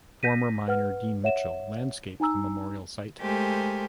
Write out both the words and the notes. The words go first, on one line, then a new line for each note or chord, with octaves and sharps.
Former miner Dean Mitchell landscaped the memorial site.
G6 A#6 B6 D#7
B4 F#5 F6
C#5 E5 F#5 E7
D#4 G#5 A#5 E6
G#3 A3 G4 A#4 C5 G#5